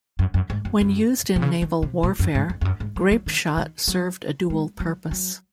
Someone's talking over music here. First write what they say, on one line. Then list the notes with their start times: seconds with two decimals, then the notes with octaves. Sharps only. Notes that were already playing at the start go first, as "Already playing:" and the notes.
When used in naval warfare, grapeshot served a dual purpose.
0.19 F#2
0.34 F#2
0.50 G#2
0.65 F#2
0.81 F#2
1.36 C3
1.42 C#3
1.62 D#3
1.83 C3
2.03 A#2
2.19 F#2
2.35 G#2
2.50 F2
2.61 F2
2.65 F#2
2.80 G#2
2.96 F#3
3.11 F#3
3.26 D#3
3.57 D#3
3.88 F#3
4.50 G#3
4.80 F#3
5.11 F#3